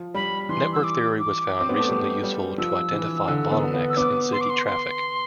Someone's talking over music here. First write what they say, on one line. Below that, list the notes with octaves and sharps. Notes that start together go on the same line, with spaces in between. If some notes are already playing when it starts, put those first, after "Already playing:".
Network theory was found recently useful to identify bottlenecks in city traffic.
Already playing: F3
G3 B5
E3 C6
E6
D6
D6
C4
B3
A3
G3
G3
F3 E6
E3
D3
B3
B3
E6
B3 D6
C6
D6
C6
C6